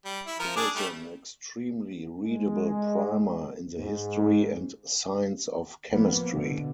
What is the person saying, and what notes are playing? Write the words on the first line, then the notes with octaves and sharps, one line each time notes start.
It is an extremely readable primer in the history and science of chemistry.
G3
E4
F3 A#4
D4 G#4 D6
G3 A3
G#3
G#2
F3 A#3 B3
B2 D3